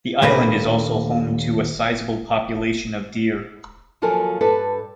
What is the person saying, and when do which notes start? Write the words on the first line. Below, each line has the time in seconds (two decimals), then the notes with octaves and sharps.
The Island is also home to a sizable population of deer.
0.22 D#2 A#2 A3 A#3 D4 B4
4.02 D#2 F3 F#3 A4 A#4 G#5
4.41 G2 A4 B4